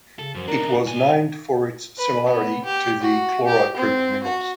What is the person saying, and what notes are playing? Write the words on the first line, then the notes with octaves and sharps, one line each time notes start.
It was named for its similarity to the chlorite group of minerals.
C#3 A4
F#2 F3
D4 D#4 A#4
A#2
C#2 G#5
B4
B3
G4
F#4
G4
C4
F#4